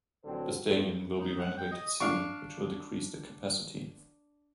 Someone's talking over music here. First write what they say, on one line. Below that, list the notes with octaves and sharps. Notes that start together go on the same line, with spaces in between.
The stadium will be renovated soon, which will decrease the capacity.
A1 D3 F#3 C4 A4 C5
E2 G2 A4
D#4
F#5
G5
D#5
D4 F5 C#6